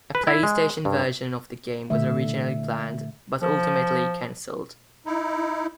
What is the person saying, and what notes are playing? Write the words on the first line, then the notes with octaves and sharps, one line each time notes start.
A PlayStation version of the game was originally planned, but ultimately cancelled.
B4
E4
G#3
G2
A#2 D3 A3 E5
F3
D#4 E4